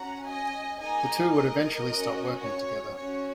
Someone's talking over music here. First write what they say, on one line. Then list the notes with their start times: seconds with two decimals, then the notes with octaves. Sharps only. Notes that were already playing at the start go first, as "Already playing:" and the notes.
The two would eventually stop working together.
Already playing: C#4 F#4 F#5 A#5
0.27 D#5 G#5
0.80 A#3 D#4 G#4 D#5 G#5
1.34 A#4 D#5
1.89 C#4 F#4
2.42 C#5
2.96 C#4 F#4 C#5